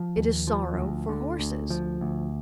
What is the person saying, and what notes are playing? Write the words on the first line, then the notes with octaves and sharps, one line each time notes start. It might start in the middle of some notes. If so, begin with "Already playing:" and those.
It is sorrow for horses.
Already playing: F3
D#2
F3
D2
D3
D2
F3
D2